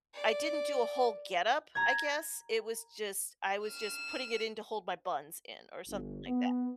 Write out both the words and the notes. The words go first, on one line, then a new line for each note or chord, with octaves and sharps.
I didn't do a whole getup, I guess. It was just I was just putting it in to hold my buns in or something like that.
D5
A#5 G#6
F6 E7
G1
B3